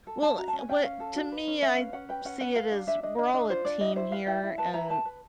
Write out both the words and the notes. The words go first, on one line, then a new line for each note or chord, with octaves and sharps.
Well, what to me, I see it as we're all a team here, and
A4
C#4 A5
F#4 A#5
A5
C#4
G#5
C#4 G5
C#4 F5
A4
F#4
B4
C#4
C#4 E5
B4 F5
C#4 F#5
B4 G5
C#4 F#5
B4 F#5
A#4 F5
D4 F5
D4 E5
D4 D#5
D4 D#5
D4 D#5
F4 C5
D4 D5
E4 D#5
E4 C5
B4 F5
E4 G5
E4
B4 A5
E4 A#5
B4 A5
B4